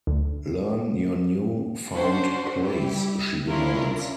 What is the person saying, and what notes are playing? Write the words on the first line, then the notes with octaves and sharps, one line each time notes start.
"Learn your new-found place," she demands.
D2
C#4 D4 F#4 C5
G3 E4 G4
C#4 D4 E4 F4 A#4